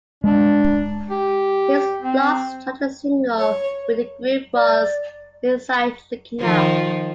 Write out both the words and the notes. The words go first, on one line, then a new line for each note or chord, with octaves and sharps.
His last charted single with the group was "Inside Looking Out".
G#3 D4
G4
C4
C#5
D5
D#3 F3